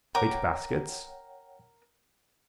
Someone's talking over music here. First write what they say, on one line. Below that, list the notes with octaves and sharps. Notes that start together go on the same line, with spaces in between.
Plait baskets.
A#4 C#5 F#5 G5 D6